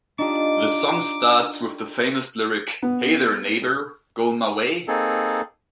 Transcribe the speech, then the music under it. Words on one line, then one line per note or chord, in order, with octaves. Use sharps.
The song starts with the famous lyric: Hey there, neighbor, goin' my way?
D4 D#4 F4 G4 D6
B3
A#3 C4 D#4 G#4 A4